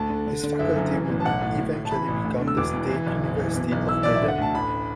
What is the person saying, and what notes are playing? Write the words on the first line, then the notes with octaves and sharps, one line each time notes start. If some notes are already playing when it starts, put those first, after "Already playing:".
This faculty would eventually become the State University of Medan.
Already playing: D2 A5
D3
D3
D3
F#1 E5
F#2
E3
A1
A5
B1 F#5
A2
A2
A2
A5
E3 B5
A1
D2
D3
E6
E1 D6
E2
E3
B1
F#1
E3
B2
B1
E3 E6
B1 D5
E5
D3
F#5
D2 A5
A1 B5